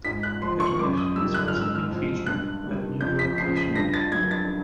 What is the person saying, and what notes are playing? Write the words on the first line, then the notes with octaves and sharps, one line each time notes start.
Heatherette has also been featured at New York Fashion Week.
G#2 B6
F#6
F3 C6
C#6
F#2 D6
D#6
D#3 G3 E6
F#6
F6
G#2
E6
F6
F3
G2 F#6
D#3 G3
F2 G6
B6
C#3 F3 C7
B6
G2 A#6
A6
D#3 F#3 G#6
A6